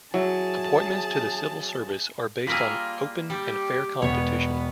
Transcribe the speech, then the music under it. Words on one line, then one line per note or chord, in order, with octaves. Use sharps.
Appointments to the civil service are based on open and fair competition.
F#3 E4 G#4 A5
G3 A#3 F4 G#4 E6 A#6 B6
G3 G4
E1 B3 C#5